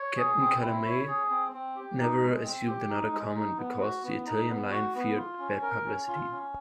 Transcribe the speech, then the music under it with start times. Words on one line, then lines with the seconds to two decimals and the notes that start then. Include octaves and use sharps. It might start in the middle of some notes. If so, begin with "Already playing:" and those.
Captain Calamai never assumed another command because the Italian Line feared bad publicity.
Already playing: C#5
0.17 G#4
0.40 C4
0.62 E4
0.85 C#5
1.07 G#4
1.30 C4
1.53 C4
1.76 G4
1.99 D#4
2.21 G#3
2.43 C4
2.67 G4
2.90 D#4
3.13 G#3
3.35 D#4
3.57 B3
3.81 F#4
4.03 B3
4.26 D#4
4.48 B3
4.71 F#4
4.95 B3
5.17 F4
5.39 C#4
5.62 A#4
5.86 C#4
6.08 F4
6.31 C#4